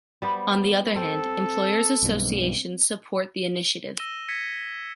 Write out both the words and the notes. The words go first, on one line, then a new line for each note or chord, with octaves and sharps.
On the other hand, employers’ associations support the initiative.
G3 B3 C5
C4 A4
B1 G2
E6 A#6 D#7 E7 G7
G#6 A#6 B6 C#7 D#7